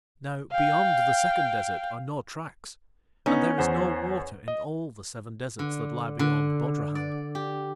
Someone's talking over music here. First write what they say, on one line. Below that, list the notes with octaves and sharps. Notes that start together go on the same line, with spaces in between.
Now, beyond the second desert are no tracks, and there is no water in all the seven deserts that lie beyond Bodrahan.
F5 G5
B3 C#4 D#4
E2 C5 F#5
D#5
D3
D3
D5
G4